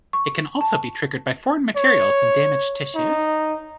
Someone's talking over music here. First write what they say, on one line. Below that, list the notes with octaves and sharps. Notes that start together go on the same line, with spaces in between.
It can also be triggered by foreign materials and damaged tissues.
C#6
A5
C#5
D#4